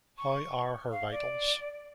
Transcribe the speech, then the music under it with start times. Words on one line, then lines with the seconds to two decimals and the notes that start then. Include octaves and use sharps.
How are her vitals?
0.18 C#6
0.92 F5
1.11 D5